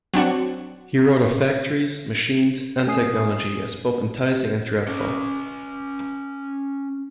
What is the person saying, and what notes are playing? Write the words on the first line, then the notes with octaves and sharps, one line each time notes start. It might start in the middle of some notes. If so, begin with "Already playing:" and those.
He wrote of factories, machines, and technology as both enticing and dreadful.
F#3 C4 D4 F#4
A3 C#4 G#5 D#6 C7
C#4 D#5